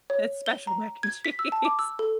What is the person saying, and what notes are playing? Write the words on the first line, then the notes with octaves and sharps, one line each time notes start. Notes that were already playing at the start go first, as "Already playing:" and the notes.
It's special mac and cheese.
C#5
G7
A#5
G#6
B6
E6
A5
D6
E6
A4